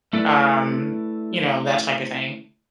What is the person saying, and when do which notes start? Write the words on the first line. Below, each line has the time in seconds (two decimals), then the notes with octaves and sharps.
um, you know, that type of thing,
0.13 A3 E4 A4 B4 D5